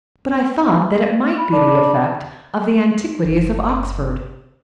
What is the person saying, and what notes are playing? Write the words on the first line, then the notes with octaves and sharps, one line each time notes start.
But I thought that it might be the effect of the antiquities of Oxford.'
B5
D4
F#1